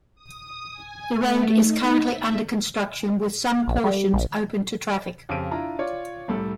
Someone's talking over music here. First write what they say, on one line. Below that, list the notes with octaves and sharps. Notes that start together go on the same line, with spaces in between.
The road is currently under construction, with some portions open to traffic.
D#6
G#5
A3
D#4
E5
A#1
G3
A#1
F2 C#3 C4 G4 D7 D#7
D4 E4 F4 A#5
F4 C#5 D5
C2 A2 G3 A4